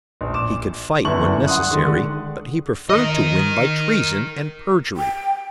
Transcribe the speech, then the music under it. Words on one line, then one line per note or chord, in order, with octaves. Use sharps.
He could fight when necessary, but he preferred to win by treason and perjury.
A#1
D6 E7
G1 F#2 D3 E4 C#6 F#7
F#5 C6 D#6 F#6
D3 D#3 G#3
A#4 D#5
G5